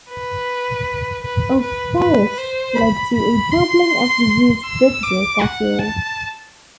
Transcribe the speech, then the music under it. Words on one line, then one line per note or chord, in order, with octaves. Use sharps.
Obaysch led to a doubling of the zoo's visitors that year.
B4
B4
B4
B4
C5
B5
B5
C6
E6
D6
F#5
A5